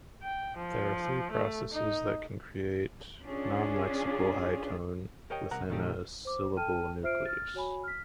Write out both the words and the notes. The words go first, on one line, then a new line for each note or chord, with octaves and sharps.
There are three processes that can create non-lexical high tone within a syllable nucleus.
G5
F3
A3
D#4
C#4 D4 F4 G#4
G4 A#4 C#5 D#5 G5
C2 A#4 F#5 A#5
A#2 D#3 F3 A3 D#4 G4
C5 D6
A4 G5 A5 F6 D#7
F4 C5 E5 F6 C7 D7
F6 A6
F#4 C#5 G#5 B5
F6 B6